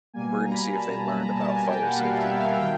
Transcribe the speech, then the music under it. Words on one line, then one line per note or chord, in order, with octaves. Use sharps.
we're going to see if they learned about fire safety,"
B2 G3 A#3 G#5
A#5
B5
A#5
B2 G3 A#3 A5
A#5
B5
A#5
B2 G3 A#3 A5
G#5
G5
F#5
B2 G3 A#3 F5
E5
F5
D#3 F#3 G5